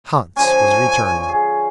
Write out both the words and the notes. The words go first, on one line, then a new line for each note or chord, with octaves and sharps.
Hans was returning.
D3 F3 C#4 G#5
G#4